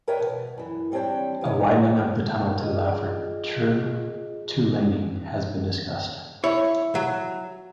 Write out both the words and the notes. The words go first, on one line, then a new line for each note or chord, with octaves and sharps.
A widening of the tunnel, to allow for true two-laning, has been discussed.
A#4 B4 C#5 D#5 E5 G5
B2
F#2 E3
G3 C4 D4 C#5 G5
E3 G#3 D#4 C#5
F4 G#4 D#5
E4 C#5
F#3